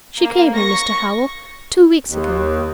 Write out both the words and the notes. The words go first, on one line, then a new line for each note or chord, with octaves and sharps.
She came here, Mr. Howell, two weeks ago.
A#3
C#6 A#6
D#2